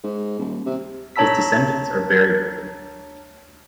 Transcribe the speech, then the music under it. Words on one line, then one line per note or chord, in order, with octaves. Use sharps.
His descendants are buried with him.
G#2
D#1
C3
D4 C#5 A5 A#5 E6 B6